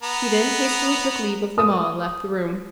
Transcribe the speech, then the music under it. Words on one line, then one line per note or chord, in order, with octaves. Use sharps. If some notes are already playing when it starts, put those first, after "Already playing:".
He then hastily took leave of them all and left the room.
B3 A#5
D#6